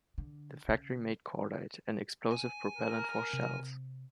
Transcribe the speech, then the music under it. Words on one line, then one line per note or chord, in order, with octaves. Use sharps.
The factory made cordite, an explosive propellent for shells.
D3
C#3
G#5
A#4
C3